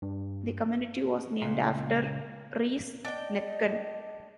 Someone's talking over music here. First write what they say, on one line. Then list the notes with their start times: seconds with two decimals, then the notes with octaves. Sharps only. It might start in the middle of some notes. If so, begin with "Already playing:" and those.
The community was named after Reese Nethken.
0.02 G2
1.42 C#2 A#2
3.05 D4 D#5 G5